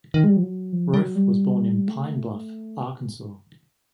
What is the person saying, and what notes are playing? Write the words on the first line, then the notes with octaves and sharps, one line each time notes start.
Roaf was born in Pine Bluff, Arkansas.
D#3
G#3
G3
F3
F#3
F3
G3
F#3
G3
A3